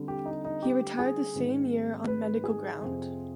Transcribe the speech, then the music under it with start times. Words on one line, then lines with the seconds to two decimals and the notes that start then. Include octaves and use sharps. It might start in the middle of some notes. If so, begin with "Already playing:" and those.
He retired that same year on medical ground.
Already playing: D3 G3 C4
0.08 G4
0.25 D#4
0.45 D#4
0.62 G4
0.99 G#4
1.35 G#2 D#3 G#3 C4
2.07 B4
2.44 G#4
2.81 F2 C3 F3 C4